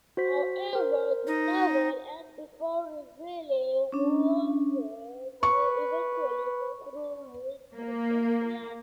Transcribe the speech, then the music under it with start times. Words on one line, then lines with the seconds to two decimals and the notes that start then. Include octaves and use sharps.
However, the novel ends before revealing whether they eventually go through with this plan.
0.17 F#4 C5 B6
0.73 A#4 C5
1.27 D#4
3.92 C#4 D4
5.43 B4 C#6
7.74 A#3